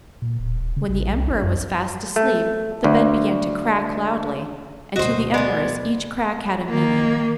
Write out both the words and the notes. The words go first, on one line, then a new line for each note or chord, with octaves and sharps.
When the emperor was fast asleep, the bed began to crack loudly, and to the empress each crack had a meaning.
A#2
D1
D1
C#3
A1
C2
G1
F#2
A3
D2
D2 B2 F#4 C5 D#5
G#3 B3 D5
D#3 A#3